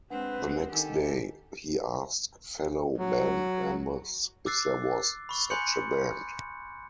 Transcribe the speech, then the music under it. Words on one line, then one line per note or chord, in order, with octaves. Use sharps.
The next day, he asked fellow band members if there was such a band.
G#3 C4 D4 B4 F#5
D#3 G4 A4 G#5
F#3
D6 E6 F#6 A6 C7
B5 C#6
G#5 B5 C6 F#6 G6 C#7